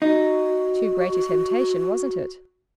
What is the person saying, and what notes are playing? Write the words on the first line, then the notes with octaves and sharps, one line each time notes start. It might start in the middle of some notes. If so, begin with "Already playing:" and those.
Too great a temptation, wasn't it?
D#4 F#4